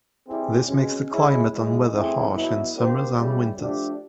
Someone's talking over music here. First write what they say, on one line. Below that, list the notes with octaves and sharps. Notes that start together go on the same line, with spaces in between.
This makes the climate and weather harsh, in summers and winters.
E3 G3 C4 E4 G#4
B2 G#3 C#4
G#3 C#4 E4 G#4
A2 E3 G#3
E3 A3 C4 E4 G#4
B2 F#3 B3 E4
A#3 D4 G4 C5
C#3 E3 G3
F3 A3 D4 G4